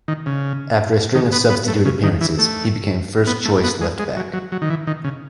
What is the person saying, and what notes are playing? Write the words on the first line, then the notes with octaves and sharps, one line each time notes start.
After a string of substitute appearances, he became first-choice left back.
D#3
C#3
D#3
B3
B3
A3
C#3
D#3
E3
A3
B3
A3
B3
G#3
G#3
F#3
F#3
F#3
D#3
E3
D#3
C#3